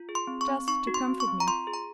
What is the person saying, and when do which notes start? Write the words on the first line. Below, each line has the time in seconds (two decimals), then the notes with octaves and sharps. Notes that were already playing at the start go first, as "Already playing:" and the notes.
Just to comfort me.
Already playing: F4
0.09 G#4
0.15 C6
0.27 C4
0.41 C#6
0.48 C4
0.68 D#4 C#6
0.87 F#4
0.94 C6
1.08 C4
1.20 C#6
1.28 C4
1.40 A#5
1.47 F4 C6
1.67 G#4
1.74 A#5